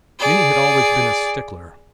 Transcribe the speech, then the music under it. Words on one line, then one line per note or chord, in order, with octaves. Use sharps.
Minnie had always been a stickler.
G#4 D5